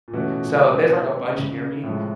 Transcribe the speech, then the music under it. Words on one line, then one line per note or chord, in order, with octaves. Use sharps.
so, there's, like, a bunch near me,
A#2
B2 E3 A3 C#4 F#4
A#2
B2
C3
C#3
C#3
A2 C3 F3 G#3